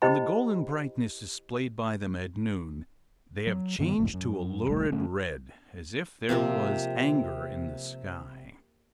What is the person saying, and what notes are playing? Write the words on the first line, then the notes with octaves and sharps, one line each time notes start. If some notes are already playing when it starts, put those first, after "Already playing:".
From the golden brightness, displayed by them at noon, they have changed to a lurid red--as if there was anger in the sky!
E4 G4 C5 D#5 G5 B5
F#3
G2 D#3 B3
F#1 B1 F2 A2
F#2
E1 C2 G3 A3
D3 A3 C#4
C3 F3 A#3 C4